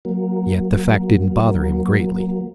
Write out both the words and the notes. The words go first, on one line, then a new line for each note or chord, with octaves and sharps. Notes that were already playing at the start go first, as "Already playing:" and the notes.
Yet the fact didn't bother him greatly.
F#3 A#3